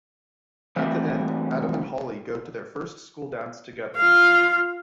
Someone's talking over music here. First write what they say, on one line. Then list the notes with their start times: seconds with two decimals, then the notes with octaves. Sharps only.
At the end, Adam and Holly go to their first school dance together.
0.76 E3 G3 A3 C4 E4 F#4
3.97 F4 F5